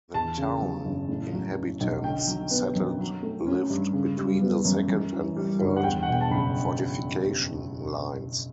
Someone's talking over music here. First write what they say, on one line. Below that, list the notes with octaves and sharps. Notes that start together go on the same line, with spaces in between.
The town inhabitants settled lived between the second and third fortification lines.
E2 A5
C#3
F#3
F#1
A2
F#3
C#4
B1
D3 G5
F#3
B3
F#2
F#3
A3
C#4
G2
C#3
G3
B3
F#2
F#2
E3
G3
G1
F#5
E2 G5
F#5
B2 G5
A5
F#1 B5